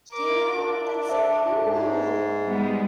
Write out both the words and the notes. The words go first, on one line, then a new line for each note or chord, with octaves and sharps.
Yeah, that's so cool.
A#4 D6
D4 A#4
C5 D5 E5
G#2
G3 G#3 B3